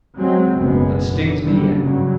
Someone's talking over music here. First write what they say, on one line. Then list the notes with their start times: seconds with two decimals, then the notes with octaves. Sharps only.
That stings me yet.
0.18 F#3 G#3 C4
0.58 F#1 B1 F#2 G#3 B3
1.08 F#2 D3
1.40 F#1 D3 G3
1.82 G2 C#3 F#3